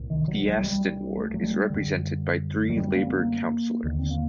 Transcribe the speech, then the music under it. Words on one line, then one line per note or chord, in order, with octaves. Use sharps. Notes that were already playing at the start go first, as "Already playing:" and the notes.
The Aston ward is represented by three Labour councillors.
Already playing: C2 A#2
D#3
F#3
G3
G3
A3
F#3
G3
F#2 D3
F#3
G3
A#3
C4
A#3
D#2 D3
C4
A#3